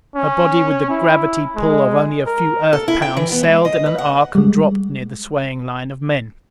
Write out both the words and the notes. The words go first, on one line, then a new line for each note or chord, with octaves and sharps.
Her body, with the gravity pull of only a few Earth pounds, sailed in an arc and dropped near the swaying line of men.
C#4
E4
G#3
A#4
A4
E4
G5
E3
B3
G#3
D#5
B4
F#5
G3 G#3